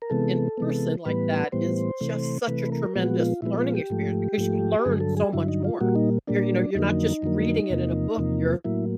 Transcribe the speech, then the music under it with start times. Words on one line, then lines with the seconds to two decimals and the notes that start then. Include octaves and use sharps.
in person like that is just such a tremendous learning experience because you learn so much more. You're you know, you're not just reading it in a book, you're
0.02 A#4
0.10 C3 E3 G#3 B3 A4
0.57 C3 E3 G#3 B3
1.05 A2 E3 G3 B3 B4
1.52 A2 E3 G3 B3 C5
2.01 C3 E3 A3
2.47 C3 E3 A3 B4
2.72 A#4
2.95 A#2 F3 G#3 B3 F#4
3.19 F4
3.42 A#2 F3 G#3 B3 E4
3.59 F4
3.75 G4
3.90 G#2 F3 A3
4.38 G#2 F3 A3
4.79 G4
4.85 G2 D3 F#3 G#4
5.00 A4
5.17 G#4
5.32 G2 D3 F#3 E4
5.48 D#4
5.64 F4
5.81 A#2 G3 A#3 F#4
5.96 D#4
6.27 A#2 G3 A#3 D4
6.75 F2 D3 F#3 A#3 D#4
7.22 F2 D3 F#3 A#3
7.70 E2 C3 F3 A#3
8.17 E2 C3 F3 A#3
8.65 A2 F#3 A#3 E4